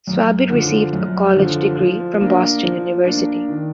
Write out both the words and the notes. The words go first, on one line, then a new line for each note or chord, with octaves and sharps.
Swaby received a college degree from Boston University.
F#2
D3
F3
F#2
D3 F3
F3
A#3 D4
F3
A#3 D4
D#3